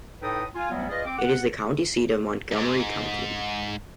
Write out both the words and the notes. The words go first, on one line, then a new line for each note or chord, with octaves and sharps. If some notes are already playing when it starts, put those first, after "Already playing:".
It is the county seat of Montgomery County.
A2 D#4 A4 B4 G5 D#6
F4 G#5
D2 F#3 G3 B3
F4 G#4 B4 D5 D#5
C4 D6
F#5
E2 G#2